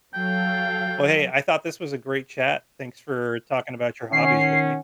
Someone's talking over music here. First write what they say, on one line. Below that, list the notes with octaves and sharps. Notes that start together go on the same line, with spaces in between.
Well, hey, I thought this was a great chat. Thanks for talking about your hobbies with me.
F#3 A4 F5 G5
D#3 C#4 F#5 C7